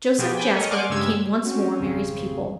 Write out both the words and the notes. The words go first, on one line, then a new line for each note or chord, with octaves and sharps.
Joseph Jasper became once more Mary's pupil.
B2 F3 B3 G4 G#4
G5 G#5 B5
A4 A#4 C#5 D#5
D5 F#5 G#5 C6 D6 F6
G2 C#3 G#3 G4 E6 G#6
C4 C#4 F#4
G#1 F2 C#3